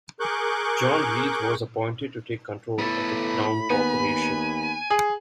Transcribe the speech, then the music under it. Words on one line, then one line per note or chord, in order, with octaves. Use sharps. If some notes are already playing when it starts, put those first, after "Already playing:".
John Reith was appointed to take control of the Crown corporation.
G#4 A#4 C#6 D6 F#6 G6
A2 B3 A4 B5
D#2 B3 G#5
G#4